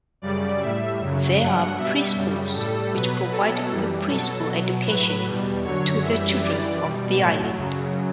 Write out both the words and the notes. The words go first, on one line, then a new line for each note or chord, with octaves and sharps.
There are pre-schools which provide the pre-school education to the children of the island.
F#2 C#3 G3 D5
A2 G3 E5
F#2 C#3 F#3
G2 F#3 F#5
B2 G3 E5
F#2 C#3 G3
A2 G3 A4
B2 F#3 B4
B2 F#3 A4
F#2 E3 G3
B2 F#3 A4
B2 F#3
A2 F#3 B4
E2 B2 G3
F#2 D3 F#3 C#5
F#2 E3 G3 E5
F#2 E3 G3 D5
B2 G3
A2 F#3
F#2 C#3 F#3